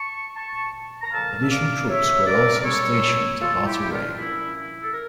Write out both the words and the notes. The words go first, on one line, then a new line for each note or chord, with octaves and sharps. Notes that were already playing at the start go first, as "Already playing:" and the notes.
Additional troops were also stationed about away.
Already playing: A5 C#6
A5 C#6
A#5
F2 C#3 F3 A#3 F5 A5
E5
D5 F5
C#5 E5
A#4 D5
D5
C#3 G3 C#4 A4 C#5
F4 A4
F4
E4 G4
E4
D4 F4
A#2 F3 C#4 E4
E4
A4
A#4